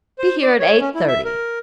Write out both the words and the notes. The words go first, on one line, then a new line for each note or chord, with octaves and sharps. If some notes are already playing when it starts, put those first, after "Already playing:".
Be here at eight-thirty.
C5
D5
C#5
C#4
E4
E5
A#4